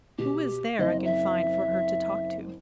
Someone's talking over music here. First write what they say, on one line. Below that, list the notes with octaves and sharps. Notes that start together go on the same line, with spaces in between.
Who is there I can find for her to talk to?'
B2 G4
F#1 C4 C5 D#5
E5